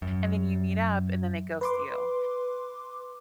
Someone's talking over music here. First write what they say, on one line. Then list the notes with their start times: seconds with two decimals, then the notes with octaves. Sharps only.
and then you meet up, and then they ghost you,
0.02 F#2
1.61 B4 C6 D6